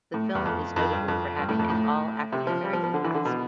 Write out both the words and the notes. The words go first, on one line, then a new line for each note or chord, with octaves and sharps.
The film is notable for having an all-African-American cast.
A2
E2
F2
F2
G2
F2
G2
A2
F2
A2
C3
F3
G3
F3
F3
D3
E3
D3
B2